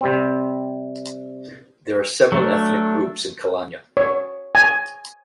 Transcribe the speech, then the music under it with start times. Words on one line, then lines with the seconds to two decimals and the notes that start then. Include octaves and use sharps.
There are several ethnic groups in Kalyana.
0.01 C3 G3 C4
2.32 F#3 A3 D4
3.97 C#5
4.55 G#5